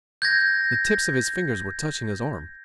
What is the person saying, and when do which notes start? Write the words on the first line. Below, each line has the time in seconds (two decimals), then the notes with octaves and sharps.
The tips of his fingers were touching his arm.
0.22 G6 G#6 A#6